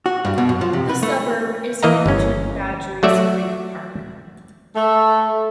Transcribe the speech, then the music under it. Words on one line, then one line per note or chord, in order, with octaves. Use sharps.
The suburb is home to Badgerys Creek Park.
F#4
G2
B2
F#2
F3
C3
B4
A3
E3 A#3 D#5 F5 A#5
G1 C#4
F#3 A3 F#4 D5 E5
A3